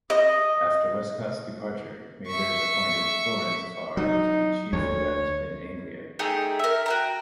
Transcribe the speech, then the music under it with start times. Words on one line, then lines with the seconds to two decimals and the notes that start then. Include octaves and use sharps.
After Westcott's departure, Mathers appointed Florence Farr to be Chief Adept in Anglia.
0.10 D#5
2.27 E5 C#6
3.97 F#3 D#4
4.73 D2 C#5
6.19 A3 D#4 G4 G#4
6.59 A#4 E5
6.86 F#4 G5 A#5